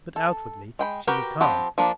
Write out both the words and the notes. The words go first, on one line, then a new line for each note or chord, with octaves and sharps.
But outwardly she was calm.
A4
G#3 G5 B5
F#4 G4 A#4 B4 G5
F3 C4 G4 F#5 B5
F3 A#3 D4